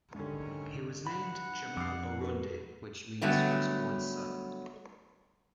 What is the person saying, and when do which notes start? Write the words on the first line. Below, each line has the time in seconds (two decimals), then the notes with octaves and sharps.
He was named Jamael Oronde which means "firstborn son,".
0.15 G#2 D3 D#3 G3 C#4
1.07 G2 F#5 B5
1.77 F2 D6 E6 C7
2.21 F#4 A#4 B4
3.21 D3 F#3 G3 A3 B3